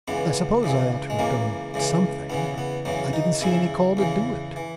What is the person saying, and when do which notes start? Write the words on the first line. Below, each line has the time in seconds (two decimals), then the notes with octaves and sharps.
I suppose I ought to have done something, but I didn't see any call to do it.
0.08 C#2 C#3 E3 B3
0.63 C#2 C#3 E3
1.10 G#3
1.19 C#2 C#3 E3 A#3
1.74 C#2 C#3 E3
2.30 E2 C#3 E3 B3
2.58 B3
2.85 E2 C#3 E3 F#3
3.13 D#4
3.41 E2 C#3 E3 E4
3.97 E2 C#3 E3
4.56 E3